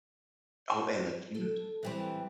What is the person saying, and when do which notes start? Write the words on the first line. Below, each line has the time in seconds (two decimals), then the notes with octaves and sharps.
Oh, and the cheese.
1.35 A4
1.83 E3 G3 C4